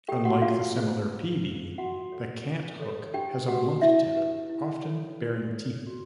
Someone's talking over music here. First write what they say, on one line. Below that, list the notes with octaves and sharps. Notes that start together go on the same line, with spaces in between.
Unlike the similar peavey, the cant hook has a blunt tip, often bearing teeth.
G4 A4 C#5 G5
F#4 F#5
D4 F4 F5
F4 G#4 C5
D4
F4 G#4 C5
F4 F#4 F#5
A4 C#5
F4
A4 C#5
D4 G4 G5
F#4 G4 B4 F#5
D4 E4 E5
G4 B4
E4
A4 C#5
E4
A4 C#5
F#4